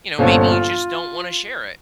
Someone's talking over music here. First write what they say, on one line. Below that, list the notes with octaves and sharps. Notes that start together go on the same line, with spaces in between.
You know, maybe you just don't wanna share it.
G1 A#2 C#4 A4 C5 F5
F4